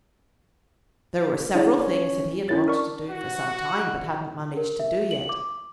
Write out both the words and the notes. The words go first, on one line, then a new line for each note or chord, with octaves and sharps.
There were several things that he had wanted to do for some time, but hadn't managed to do yet.
C#3 D4 E4 D5
C#4
F#2 C#4 E4 A6
D4 A#4 C#6
F#4
A#4
E5
F#7
D6